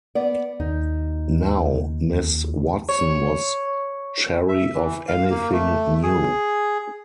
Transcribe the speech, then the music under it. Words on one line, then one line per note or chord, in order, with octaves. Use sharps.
Now, Miss Watson was chary of anything new.
B3 D5
D#2 D#4
C#5
E5
E3
F5
A#3
A3
G#4